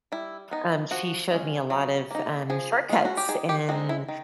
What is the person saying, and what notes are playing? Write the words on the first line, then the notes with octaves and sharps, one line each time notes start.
um, she showed me a lot of, um, shortcuts, and,
G3 E4
B3 D#4
F3 F#4
G#3 C#4
F#3
A#3 D#4
F3 G#4
G#3 C#4 F4
F#4
G4
D#3 G#4
G4
G#3 C4 D#4 F#4
E4
D#3